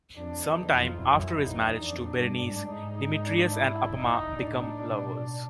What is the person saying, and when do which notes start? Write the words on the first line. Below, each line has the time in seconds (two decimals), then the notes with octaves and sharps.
Sometime after his marriage to Berenice, Demetrius and Apama became lovers.
0.17 F2 D4
0.44 E2 D#4
0.73 F2 F4
1.00 F#2 E4
1.43 E2 D#4
1.86 F2 D4
2.14 G2
2.41 G#2
2.70 D#4
2.98 D#4
3.27 D4
3.54 E4
3.97 D#4
4.39 A2 D4
4.82 B2